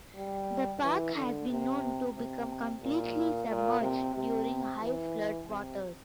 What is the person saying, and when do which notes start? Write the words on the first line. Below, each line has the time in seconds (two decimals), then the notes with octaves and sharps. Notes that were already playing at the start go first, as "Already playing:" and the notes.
The park has been known to become completely submerged during high flood waters.
0.16 G3
0.83 E3
1.15 D3
1.49 C3
2.15 C3
2.82 A#2
3.48 A#2
3.81 C3
4.15 C3
4.81 E3
5.48 C3